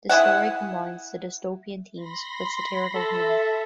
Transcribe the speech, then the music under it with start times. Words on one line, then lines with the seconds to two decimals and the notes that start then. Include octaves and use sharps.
The story combines the dystopian themes with satirical humour.
0.09 E4 G#4 E5 F#5
1.96 B5 C6 A#6
2.96 A4 E5